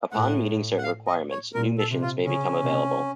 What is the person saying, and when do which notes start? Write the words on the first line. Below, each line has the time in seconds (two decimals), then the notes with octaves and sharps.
Upon meeting certain requirements, new missions may become available.
0.12 A2 F#5
0.78 F#5
0.83 F5
1.07 D#5
1.31 C#5
1.54 A#2 A#4
1.78 A4
1.90 C3
2.02 F4
2.25 C#3 C#4
2.62 C3